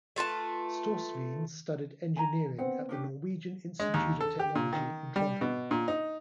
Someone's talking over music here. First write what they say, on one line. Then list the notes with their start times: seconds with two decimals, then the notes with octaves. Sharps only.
Storsveen studied engineering at the Norwegian Institute of Technology in Trondheim.
0.16 A3 F4 B4 A5
2.16 G#5 A#5
2.58 B3 C4 C5 F#5
2.89 C#4 D4 G4
3.80 G#3
3.94 D#2
4.21 A4
4.39 G4
4.55 A#2
4.73 D#3
5.16 G3
5.41 B2
5.71 A#2
5.88 D#4